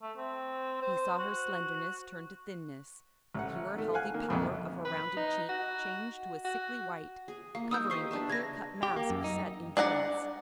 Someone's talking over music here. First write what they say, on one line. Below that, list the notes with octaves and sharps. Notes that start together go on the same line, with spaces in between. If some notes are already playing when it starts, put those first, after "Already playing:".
He saw her slenderness turn to thinness, the pure, healthy pallor of her rounded cheek change to a sickly white, covering a clear-cut mask of set endurance.
A3
C4
C5
F#4
A1 F#5
D#3 A3
F5 F#5 G#5 F#6
D#3 A#3
A#1 F2
B4
D#4
F#4
F#4
G#4
A#3 F5
D#4 A#4 D#6 E6 G6
G4 C5 D#5 C#6 C7
D4 B4 E5
C#3 D4 G#6 A#6
G4
A#3
F#2
D#4
D4 D5 F#5 A#5